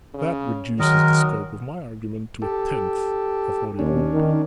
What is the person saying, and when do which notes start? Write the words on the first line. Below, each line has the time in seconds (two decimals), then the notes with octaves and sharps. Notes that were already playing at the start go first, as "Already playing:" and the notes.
That reduces the scope of my argument to a tenth of what it would be.
0.14 C#3
0.79 D#3 F#3 G#3 A#4 D#5
2.42 G4 A4
3.79 D#2 C#4 D4
4.13 D#3